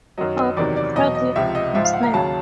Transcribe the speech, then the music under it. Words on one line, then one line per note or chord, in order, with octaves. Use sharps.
Pop, crackle and snap.
F#2 D#3 F#3 D#5
D#5
E2 C3 D#3 F#3 D5
D5
E2 B2 F#3 D#5
D#5
C#2 C3 F3 E5
D#5
G#2 F3 E5
F5
F#5
A#5
D#2 C#3 F#3 A5